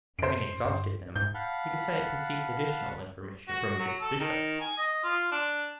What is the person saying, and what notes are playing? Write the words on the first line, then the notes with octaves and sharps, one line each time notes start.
Having exhausted them, he decided to seek additional information from Miss Bishop.
F#2 C5 D7
G2
G#2 G6
F5 F#5 A5 B5
F#4
F#3
A4
D#3
G#5
D#5
F4
D4